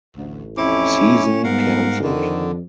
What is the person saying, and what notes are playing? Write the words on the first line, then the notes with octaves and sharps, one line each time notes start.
Season canceled.
A1 D2
F2 C#4 E4 D6
G#2 G3 B3 A#4 F5 F#5
F2 D3 D#3